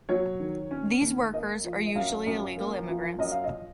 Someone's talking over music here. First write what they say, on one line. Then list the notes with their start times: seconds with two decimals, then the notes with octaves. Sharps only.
These workers are usually illegal immigrants.
0.09 F#3 C#5
0.40 D#3
0.71 C#4
1.01 D#2
1.34 A#3 D#5
1.64 F3
1.86 D#5
1.95 F#2 F5
2.26 F#2
2.57 A#3
2.89 F3
3.19 F#2 D#5
3.32 F5
3.44 D#5